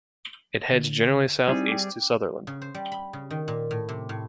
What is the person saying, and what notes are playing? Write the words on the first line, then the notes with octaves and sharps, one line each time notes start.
It heads generally south-east to Sutherland.
D3
G3 C4 D#4 E4 G#4
G5 D6
C#3
C5
G3
B5
C#3
D#3
A#2
A2
C3
A2